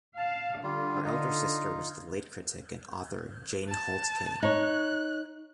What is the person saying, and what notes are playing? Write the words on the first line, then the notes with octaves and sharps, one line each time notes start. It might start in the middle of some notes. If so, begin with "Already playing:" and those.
Her elder sister was the late critic and author Jane Holtz Kay.
F5 A5
D3 G3 F4
D#4 F4
A5
D#4 C#5 F#6